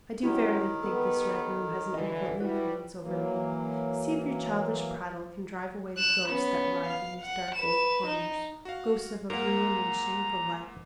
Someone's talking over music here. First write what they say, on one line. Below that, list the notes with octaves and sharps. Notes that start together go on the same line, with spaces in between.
I do verily think this Red Room has an evil influence over me. See if your childish prattle can drive away the ghosts that riot in these dark old corners--ghosts of a ruined and shamed life!
D#3 F#3 C#4 E4 G4
B3 G4 A4
D3 E3 D#5
G3 E4 F#4 B4
E3 F#3 A#3
F#6 E7
B3 C#4
F5
F#5
B4 E7
D#4
F#4 F5
G#2 A#3 A#4 F#5 A#5